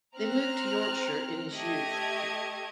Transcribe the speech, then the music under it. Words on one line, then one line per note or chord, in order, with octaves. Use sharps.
They moved to Yorkshire in his youth.
C4 A#5 F6 F#6
A3 G4 D#5 E5 G#6